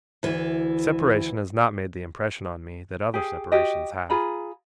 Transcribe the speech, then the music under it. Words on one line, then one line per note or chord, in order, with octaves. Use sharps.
The separation has not made the impression on me, that other separations have.
D2 E3
G4 G#4
F#4 G4 D#5
F4 G#4 A#5 B5